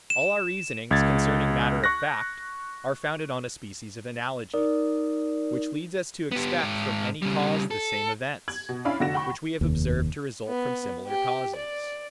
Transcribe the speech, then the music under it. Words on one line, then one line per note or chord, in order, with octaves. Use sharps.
All our reasonings concerning matter of fact are founded on a species of Analogy, which leads us to expect from any cause the same events, which we have observed to result from similar causes.
E7
C#2 G#6 A6
C#6 F#6 A#6
D#4 A#4 D5
B3 G4
G#2 G5
C#3 G3
A4
G#6 F#7
B2
C#4 D4 E4 F5 B5
F1 D3 F#4 A#6 E7
F#5 G5 B5 C#6
F1 D#2
B3
G4
D5